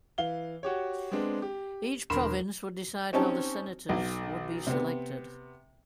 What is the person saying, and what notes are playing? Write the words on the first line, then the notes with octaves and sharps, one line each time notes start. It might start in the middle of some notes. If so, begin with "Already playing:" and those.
Each province would decide how the senators would be selected.
E3 F5 G7
F#4 G4 C#5
G#3 B3 C4 D4
G4
E1 D3 A#4 B5 C6 E7
C4 C#4 D#4 G4 A5
B1
C3 B3